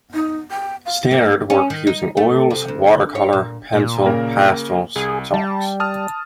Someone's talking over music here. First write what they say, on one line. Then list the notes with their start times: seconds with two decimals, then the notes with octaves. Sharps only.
Stannard worked using oils, watercolour, pencil, pastels, chalks.
0.14 D#4
0.51 G5
0.86 F5
1.11 A#3
1.50 C#4
1.70 D#3
1.87 D#4
2.17 A3
2.51 C3
2.68 D2
3.15 C#5
3.33 A#2
3.73 A#2
4.06 C#3 A#3 A#4
4.96 C2 G#4
5.34 G3 A5
5.80 A5 D#6 F6